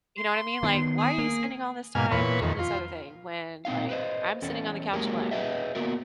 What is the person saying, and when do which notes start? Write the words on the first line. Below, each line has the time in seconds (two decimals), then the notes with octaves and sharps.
you know what I mean, like, "Why are you spending all this time doing this other thing when, like, I'm sitting on the couch alone?"
0.18 C6
0.63 D#3 B3
0.98 G#4
1.18 A#3
1.95 G#2 B2 G#5 F6
2.11 E2 A#2 B4 C#5
2.42 F2 D#3
2.59 F4
3.65 A#2 C4 D#4 F5
3.89 B4 C5 D#5
4.42 E2 C#4 A4
4.93 F#3 G#3 A#3 G4 G#4 A#4
5.31 G#4 B4 D#5 E5
5.75 A#3 B3 F#4 A#4